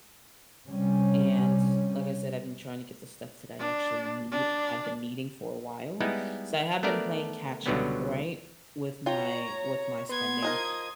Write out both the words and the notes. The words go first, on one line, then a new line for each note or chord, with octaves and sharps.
and like I said, I've been trying to get the stuff that I actually need, have been needing for a while, so I have been playing catch-up, right, with my with my spending,
C3 G3 C#4
D4
D4
G3 G#3 B3 D#4 E4
A3 B3 D4 A#4 D5
C#2 B2 D3 F#3 G3 B3
F4 C#5 G5 A#5
B3 C6 G#6
F3 D#4 A#4 D#6